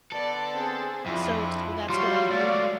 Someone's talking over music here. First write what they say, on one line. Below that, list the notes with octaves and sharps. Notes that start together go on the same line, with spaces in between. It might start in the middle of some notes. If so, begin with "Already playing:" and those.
so so that's what I do,
D3 B3 A4 D5
C4 G#4
F2 F3 D4 E4 F4
F#3 G3 F4 F#4 C6
G#3 A3 D5 F5